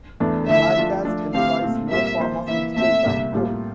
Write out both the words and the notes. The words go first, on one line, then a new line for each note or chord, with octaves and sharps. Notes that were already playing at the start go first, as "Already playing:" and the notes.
The broadcast employs no form of digital time code.
E2 E3 A3 D4 A4
D3 F3 A3 E4 E5
F3 A3 D4 F4
F3 A3 D4
D3 A3 C4 E4 G4 F5
A#2 A3 C4
A#2 G3 C4 F4 A#4 E5
F3 A#3 F4 C5
E3 A#3 E4 E5
A#2 A3 C4 E5
C2 C3 G3 A#3
A2 G3 A#3 F4